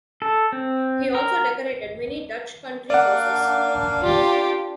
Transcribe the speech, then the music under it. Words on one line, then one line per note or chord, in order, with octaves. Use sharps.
He also decorated many Dutch country-houses.
A4
C4
A#4
A#3 D4 D5 F5 F#5
F4 G4